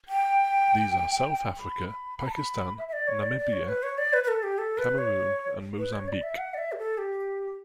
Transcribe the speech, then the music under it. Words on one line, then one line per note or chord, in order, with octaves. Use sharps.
These are South Africa, Pakistan, Namibia, Cameroon and Mozambique.
G5
B5
B5
B5
A5
B5
E5
E5
D5
C#5
D5
D5
C#5
B4
C#5
D5
B4
B4
A4
G4
A4
B4
C#5
B4
C#5
D5
E5
F#5
D5
E5
G4
A4
G4